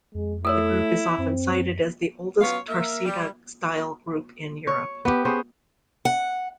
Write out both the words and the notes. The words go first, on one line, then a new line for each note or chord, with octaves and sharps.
The group is often cited as the oldest torcida style group in Europe.
F2 G#3
A3 E4 A4 A#4 C#5
F#2 C4
F#3 B3 C#4 F4 C#5 F5
A#3 A#4 E5
G3
C#5
B3 G4
B3 C#4 G#4 C5
F#5